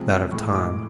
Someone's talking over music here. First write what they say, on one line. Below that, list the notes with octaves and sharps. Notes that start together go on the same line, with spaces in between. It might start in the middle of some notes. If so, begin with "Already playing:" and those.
That of Time.
Already playing: C3 F3 G#3
A2 E3 G#3 C#6
D6